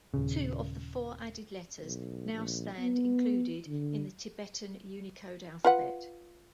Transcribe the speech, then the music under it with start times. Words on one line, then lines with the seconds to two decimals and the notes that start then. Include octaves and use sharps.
Two of the four added letters now stand included in the Tibetan Unicode alphabet.
0.14 D#1 C#3
1.82 B1
2.33 A#1
2.79 B3
3.68 D3
5.65 F4 B4 F#5